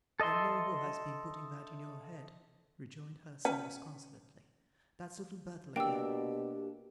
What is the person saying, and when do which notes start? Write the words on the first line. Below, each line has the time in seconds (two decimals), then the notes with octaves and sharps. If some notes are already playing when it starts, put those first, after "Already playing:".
'I know who has been putting that in your head,' rejoined her son disconsolately; 'that's Little Bethel again.
0.20 A4 D#5 E5 C6
3.45 C#4 B4
5.76 B2 A#3 D4 G4 G5 E6